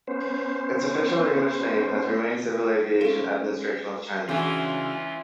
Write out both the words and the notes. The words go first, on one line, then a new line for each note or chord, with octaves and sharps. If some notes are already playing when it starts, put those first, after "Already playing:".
Its official English name has remained Civil Aviation Administration of China.
B3 C#4 C5
C#4 F4 A4
C#3 E3 C#4 D4 F4 F#4